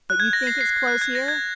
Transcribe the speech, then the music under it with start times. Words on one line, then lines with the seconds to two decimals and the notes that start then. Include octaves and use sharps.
"But you think it's close here?"
0.10 F#6
0.20 G#6
0.33 A#6
0.47 C7
0.61 C7
0.87 F#6
1.01 G#6
1.15 A#6
1.28 G#6